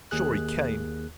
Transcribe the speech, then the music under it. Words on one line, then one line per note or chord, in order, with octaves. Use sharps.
Shorey came.
D#2 G#4 F#6